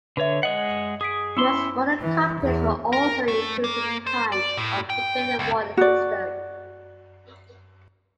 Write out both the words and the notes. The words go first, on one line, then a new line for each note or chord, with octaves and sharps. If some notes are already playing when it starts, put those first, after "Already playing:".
Most modern cockpits will also include some kind of integrated warning system.
D3 B4 C#5 E5
G#3 G#4 D#5 F#5
G#4 D#6 B6 D7
C#4 E4 C6 D6 E6
E3
E2
A#4
A3
A#3
C5
D5
A2
G5
C#2
F#4 D5